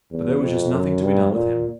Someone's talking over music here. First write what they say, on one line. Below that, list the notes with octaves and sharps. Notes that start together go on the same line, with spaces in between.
But there was just nothing to be done with him.
E2
F2
F#2
G2
A#2